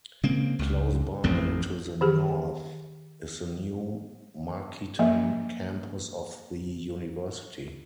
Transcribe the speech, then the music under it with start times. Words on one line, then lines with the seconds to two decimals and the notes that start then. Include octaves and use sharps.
Close by to the north is the new Markeaton campus of the university.
0.23 C#3 G#3 A#3 C4
0.59 C#2
1.24 A1 F2 A3 C4
2.01 D#3 G4 G#4
4.99 F3 A#3 E5